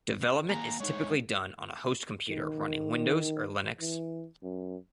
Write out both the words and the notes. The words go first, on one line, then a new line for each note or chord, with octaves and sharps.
Development is typically done on a host computer running Windows or Linux.
D#3 A#3 G#5 A#5
G#3 A3 D#4 C#5
D#3
E3
F#2